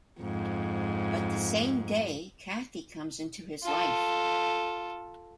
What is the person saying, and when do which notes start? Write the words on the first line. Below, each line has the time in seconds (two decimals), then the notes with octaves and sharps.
But the same day Cathy comes into his life.
0.21 F2 G#2
3.63 F4 A4